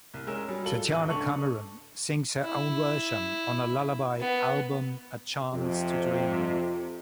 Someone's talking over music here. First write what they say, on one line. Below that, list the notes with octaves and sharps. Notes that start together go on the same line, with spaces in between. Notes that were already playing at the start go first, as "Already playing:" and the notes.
Tatiana Cameron sings her own version on her lullaby album "A Chance to Dream".
C2
G#3 C#4 A#4 G#5 E6 E7
F#3 G3 G#4
F4 A4 F#7 G7
D1 E2 D#7
C#2 D4 A4 C#6 F7 F#7
E4
B3
F2 C3